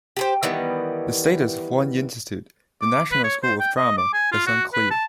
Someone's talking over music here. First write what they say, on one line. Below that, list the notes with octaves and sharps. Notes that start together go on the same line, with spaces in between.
The status of one institute, the National School of Drama, is unclear.
G4 G#4 C5
D#3 E3 G3 B3
D6
B4
C#5
C5
G5
D#5
D6
G#5
F4
F#4
B4
A5